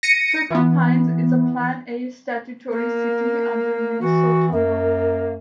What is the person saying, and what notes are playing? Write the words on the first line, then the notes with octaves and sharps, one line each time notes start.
Circle Pines is a Plan A statutory city under Minnesota law.
A#6 C#7 D#7
E3 B3
A#3
E3 F#4
F#2 A#3